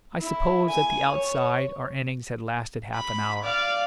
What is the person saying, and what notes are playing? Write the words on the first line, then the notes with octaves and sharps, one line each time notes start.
I suppose, at the outside, our innings had lasted half an hour.
E4
G#5
C#5
B5
D5 F5